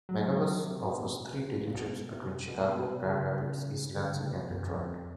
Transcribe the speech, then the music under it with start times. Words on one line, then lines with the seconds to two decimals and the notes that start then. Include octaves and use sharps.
Megabus offers three daily trips between Chicago, Grand Rapids, East Lansing, and Detroit.
0.09 F#3
0.63 C3
0.82 B2
1.67 A#2
1.74 B2
2.11 C3
2.48 B2
3.04 C#3
3.95 D3
4.14 C#3
4.32 B2
4.51 F#2
4.69 F2